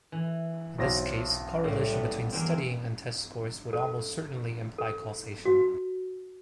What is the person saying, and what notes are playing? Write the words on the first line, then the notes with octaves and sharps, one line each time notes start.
In this case, correlation between studying and test scores would almost certainly imply causation.
E3
B1 C5 A#6
A2 G3
B3
E2 A#3 C4
A4
A4
F#4